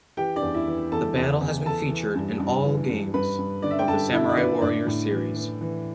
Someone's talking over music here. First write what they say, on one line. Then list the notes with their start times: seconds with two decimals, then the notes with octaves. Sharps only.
The battle has been featured in all games of the "Samurai Warriors" series.
0.17 E3 G4 G5
0.36 D4 D5
0.42 E2
0.54 E4 E5
0.67 E3
0.92 E2 A4 A5
1.16 E2
1.41 E2
1.65 E3 A4 A5
1.90 E3
2.15 G2
2.39 G2
2.65 E3
2.89 G2
3.14 G2 B4 B5
3.39 G2
3.62 D3 D5
3.71 E5
3.79 G5
3.88 G2 A4 A5
4.13 D3 E4 E5
4.29 D5
4.37 D3 B4
4.62 A2 D4 D5
4.86 A2
5.11 E3
5.36 E3
5.61 E3